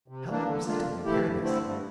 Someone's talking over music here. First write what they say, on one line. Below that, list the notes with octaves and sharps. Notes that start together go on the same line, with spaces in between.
How long was I to bear this?
C3
E3 A#3 D4
D3
G3 A#3 D4 F4
F2
E3 A3 E4 G4
G2
D3 A3 C4 E4
G2